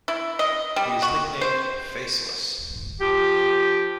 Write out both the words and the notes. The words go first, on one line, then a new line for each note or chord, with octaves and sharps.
He is nicknamed "Faceless".
E4
D#5
G3
F#4
C5
F3 G4